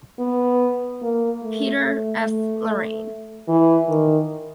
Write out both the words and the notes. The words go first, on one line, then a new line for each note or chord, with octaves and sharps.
Petre, F. Loraine.
B3
A#3
A3
A3
A3
E3
D#3